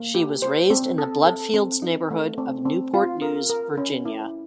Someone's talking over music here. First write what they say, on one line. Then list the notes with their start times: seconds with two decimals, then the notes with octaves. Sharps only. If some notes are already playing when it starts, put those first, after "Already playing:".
She was raised in the Bloodfields neighborhood of Newport News, Virginia.
Already playing: A#3
0.15 G4
0.42 C5
0.70 C4
0.98 A4
1.26 A4
1.54 C4
1.82 D#4
2.10 A3
2.38 C4
2.65 C4
2.94 F4
3.22 A#4
3.50 A#4
3.77 C#4
4.05 E4